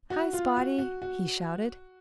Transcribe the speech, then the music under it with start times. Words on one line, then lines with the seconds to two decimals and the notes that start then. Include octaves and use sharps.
"Hi, Spotty!" he shouted.
0.10 F#4
0.33 F4
0.57 F#4
0.79 F#4
1.02 F#4